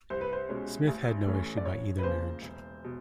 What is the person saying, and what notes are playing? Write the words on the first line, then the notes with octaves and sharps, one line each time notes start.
Smith had no issue by either marriage.
C2 C5
B4
C5
B2 G#3 C#4
A1
A2 E3 A3 C#4
D5
F2 C#5
B4
C#3 F3 A#3 C5
E1
B2